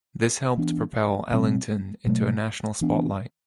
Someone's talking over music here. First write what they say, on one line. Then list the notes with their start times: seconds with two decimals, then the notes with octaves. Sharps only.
This helped propel Ellington into a national spotlight.
0.57 E3 B3 D4
1.32 B2 G3 C4
2.07 B2 F#3 A3
2.81 E3 B3 D4